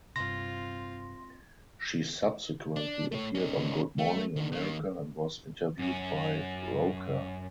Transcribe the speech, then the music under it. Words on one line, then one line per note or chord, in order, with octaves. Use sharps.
She subsequently appeared on Good Morning America and was interviewed by Roker.
G2 C3 C4 F4 C6 A#6
D4
A3 C#5
C#4 D#4
A3
D#3 D4
D#3 A#3
F#2 C#4